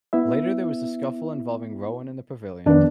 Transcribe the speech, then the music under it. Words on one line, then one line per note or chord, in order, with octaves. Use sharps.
Later there was a scuffle involving Rowan in the pavilion.
B3 E4 E5
F2 D#3 B3 D4 D5